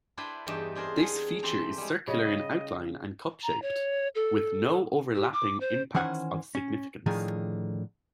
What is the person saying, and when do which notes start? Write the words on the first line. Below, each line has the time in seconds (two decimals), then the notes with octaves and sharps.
This feature is circular in outline and cup-shaped, with no overlapping impacts of significance.
0.17 D4 E4 B4 C5 D5 G5
0.46 E2 G2 E3 D#4 G4 A5
0.75 C4 D4 G#4 A#4 C5
0.98 G#4 F#5 G#5
1.43 E3 C4 G4 A4 C5 A#5
1.78 G3 G#3
2.08 C#3 G3 D#5
3.43 A#5
3.62 C#5
4.15 A4
5.15 G4
5.33 D6
5.60 C5
5.95 D#3 E3 C#4 C5 F#5 G#5
6.55 C#4
7.06 A2 D3 D#3 F3 D#4 G#4